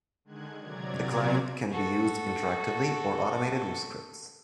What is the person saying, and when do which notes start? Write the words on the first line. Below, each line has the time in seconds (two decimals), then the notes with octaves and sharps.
The client can be used interactively or automated with scripts.
0.25 D3 D#3 G#3 F#6 G#6
0.58 C3 F#3 D5 A#5 G#6
1.71 F#4 A4